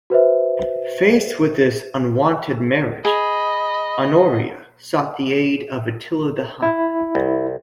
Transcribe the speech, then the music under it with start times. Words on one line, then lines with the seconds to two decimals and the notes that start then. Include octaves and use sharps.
Faced with this unwanted marriage, Honoria sought the aid of Attila the Hun.
0.10 F#4 B4 C5 E5
3.05 G#4 D#5 B5
6.62 E4
7.15 C2